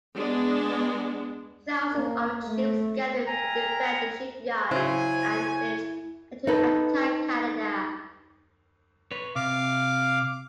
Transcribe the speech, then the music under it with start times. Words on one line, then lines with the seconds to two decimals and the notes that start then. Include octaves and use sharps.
Thousands of troops gathered to defend the shipyard and village, and to attack Canada.
0.16 G#3 B3 D4
1.94 A#3
2.46 A3
3.27 A#4 E5 G5 G#5 A#5
4.71 C#3 F#3 E4 C5 G#5
6.47 D#4 A4 B4
9.11 B4 C#5
9.36 C3 F5 D6